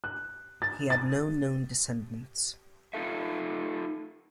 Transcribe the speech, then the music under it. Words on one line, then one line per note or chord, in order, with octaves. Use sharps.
He had no known descendants.
F#6
A6
A6
D#4 F4 A4 E5